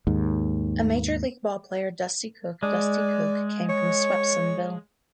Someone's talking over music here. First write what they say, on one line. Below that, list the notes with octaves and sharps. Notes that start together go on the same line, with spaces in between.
A major league ballplayer, Dusty Cooke Dusty Cooke, came from Swepsonville.
D#2 G#2
G#3 D5
C#5